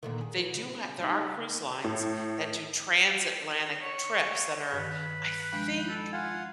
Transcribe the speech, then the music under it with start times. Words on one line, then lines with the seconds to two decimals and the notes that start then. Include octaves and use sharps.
they do ha there are cruise lines that do transatlantic trips that are, I think
0.03 A#2 D3 D#3
0.21 G#4
0.37 E3
0.54 C#3
0.98 C#3 G3 D#4
1.84 A2
3.81 C#5
4.72 G2 D#3 B4
5.52 F3 G#3 D4 G5 B5 F#6
5.89 A4
6.13 F4 F5 F#5 G#5